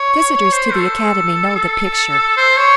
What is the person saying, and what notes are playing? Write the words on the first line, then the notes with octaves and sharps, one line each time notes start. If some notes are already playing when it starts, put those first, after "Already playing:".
Visitors to the Academy know the picture.
Already playing: C#5
C#5
C5
A4
A4
C5
C#5